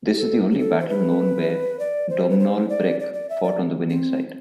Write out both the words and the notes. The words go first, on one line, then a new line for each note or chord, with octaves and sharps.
This is the only battle known where Domnall Brecc fought on the winning side.
G4
A4
G4
A4
C5
B4
D5
C5
B4
C5
D5
D5
D5
E5
D5
C4